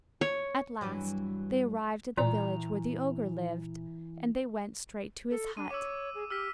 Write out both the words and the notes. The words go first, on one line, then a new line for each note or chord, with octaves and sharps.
At last they arrived at the village where the ogre lived, and they went straight to his hut.
C#5
G2 E3 F#3
A#2 E3 A#5
A4
D4 D#7
C#5 D6 E6
G#4
G4 E6 F6 B6